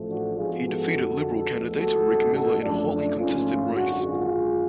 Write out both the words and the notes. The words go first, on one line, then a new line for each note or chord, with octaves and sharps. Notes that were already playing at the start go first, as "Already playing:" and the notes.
He defeated Liberal candidate Rick Miller in a hotly contested race.
Already playing: A1 A2 F3 A3
D4 F#4
G#2 F3 G#3 B3 F4 G#4
F#4 A4
F2 D3 G#3
D2 D3 F3 G#3 B3
F#4 A4
A1 G#2 G#3
F#4 A4
F#2 F3 A3 D4
D4
G#1 G#2 F3 A3 C#4 F4
G#1 F#2 D3 G#3 D4 F#4
F4 G#4
F#2 D3 G#3